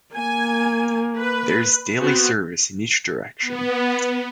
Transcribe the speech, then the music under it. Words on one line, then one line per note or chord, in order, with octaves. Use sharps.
There is daily service in each direction.
A#3 G#5
B4
B3 C4 F#4
B3